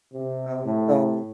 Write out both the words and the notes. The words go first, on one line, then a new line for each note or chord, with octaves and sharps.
um so,
C3
A2